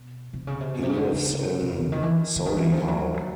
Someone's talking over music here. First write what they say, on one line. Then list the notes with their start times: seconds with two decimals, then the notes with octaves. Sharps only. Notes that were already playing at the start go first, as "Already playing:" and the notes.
He lives in Solihull.
Already playing: B2
0.33 C3
0.47 C#3
0.60 C3
0.74 B2
0.83 C3
0.89 C#3
0.97 D3
1.12 C#3
1.28 C3
1.61 C3
1.81 C#3
1.92 D#3
2.03 E3
2.36 D3
2.46 D#3
2.57 E3
2.72 F3
2.88 F#3